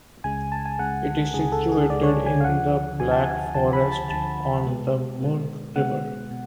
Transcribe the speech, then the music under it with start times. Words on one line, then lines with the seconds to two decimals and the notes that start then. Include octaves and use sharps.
It is situated in the Black Forest on the Murg river.
0.24 C#2 C#3 G#3 G#5
0.52 A5
0.65 G#5
0.79 C#2 C#3 G#3 F#5
1.34 C#2 C#3 G#3 G#4
1.52 A4
1.72 G#4
1.90 C#2 C#3 G#3 D5
2.03 C#5
2.08 D5
2.26 G#5
2.41 F5
2.44 D2 D3 F3 F#5
3.00 D2 D3 F3 G#5
3.11 A5
3.23 G#5
3.54 D2 D3 F3 A5
3.73 B5
3.92 A5
4.10 D2 D3 F3 A5
4.65 B2 G#3 B3
5.21 B2 G#3 B3
5.76 B2 G#3 B3 F#5
6.31 B2